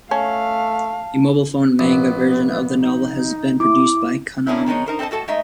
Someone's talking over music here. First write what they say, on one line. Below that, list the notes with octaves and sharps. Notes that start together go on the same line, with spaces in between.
A mobile phone manga version of the novel has been produced by Konami.
A3 C#4 F5 A5
A#1 B3
D#4
E4 D6
A#3 C#4 D4 E4
D#3 G#3 C4 D#4 C#5
D#4 A#4 C5
C4 A4 C5 D#5 A5
A2 F#4 A4 A5
G#3 A3 D#4 D#5 E5